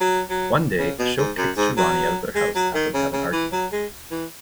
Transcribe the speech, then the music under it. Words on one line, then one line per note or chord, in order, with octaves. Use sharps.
One day, Ashok kicks Shivani out of their house after they have an argument.
F#3
F#3
C#3
B2
G#2
F#2
G#2
F#3
G#3
F#3
D#3
C#3
C#3
E3
F#3
G#3
E3